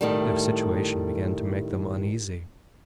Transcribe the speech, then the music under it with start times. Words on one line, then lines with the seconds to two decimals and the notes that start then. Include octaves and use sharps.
Their situation began to make them uneasy.
0.01 A2 D#3 G3